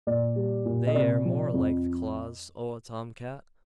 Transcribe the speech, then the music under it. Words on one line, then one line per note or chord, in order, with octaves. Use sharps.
They air more like the claws o' a tom cat.
A#2 D5
G3
A#2
D#5
C3 D5
F3
F2